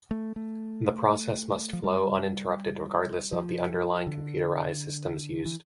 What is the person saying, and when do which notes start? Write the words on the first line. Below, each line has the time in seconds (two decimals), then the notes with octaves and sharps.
The process must flow uninterrupted regardless of the underlying computerized systems used.
0.11 A3
0.36 A3
1.73 F3
1.84 G3
3.33 F3
4.07 D3
5.45 E3